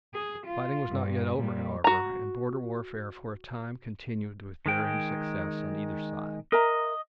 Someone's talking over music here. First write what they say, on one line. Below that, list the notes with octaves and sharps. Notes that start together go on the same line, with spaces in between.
Fighting was not yet over, however, and border warfare for a time continued with varying success on either side.
G#4
F4
G2
A#2 G3
F#4 A#5
D#3 G#3 G5
A#4 D#5 E5 A#5